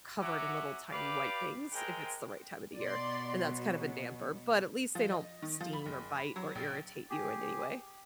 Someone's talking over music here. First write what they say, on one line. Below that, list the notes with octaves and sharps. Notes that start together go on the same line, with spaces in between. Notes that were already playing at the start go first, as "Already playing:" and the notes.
covered in little, tiny white things, if it's the right time of the year, and that's kind of a damper, but at least they don't sting or bite or irritate you in any way.
C#4 F#4 E5 F#5 A#5 D6
G4 B4 D5 F5 D6
G#3 C4 G#4 A#4 G5
B2 D5 C6
F#3
F3
D#5
D#3
F3
B5
F#1
B5
F#3
A#1
G4 G#4